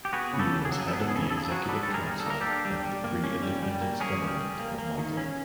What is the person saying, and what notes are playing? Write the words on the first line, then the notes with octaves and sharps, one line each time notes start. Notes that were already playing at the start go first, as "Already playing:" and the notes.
He was head of the executive council and the pre-independence government of Malta.
G4
B3 F#4 G#4
C#3
G4 A4
C#3
G#4
F#3 A4
G#4
A4
B3 G#4
A4
C#3 G#4
A4
G#4
C#3 A4
G#4
A4
F#3 F#4 G#4
D4 A4 B4
G3 A4
G#4 A#4
G3
A4
A#3 A#4
D4 G4 A4
G3
G3
A#3
C#4
G3
G3
A#3
C#4 G#4 A#4
G3
G3
A#3
A#3
D#3
C#4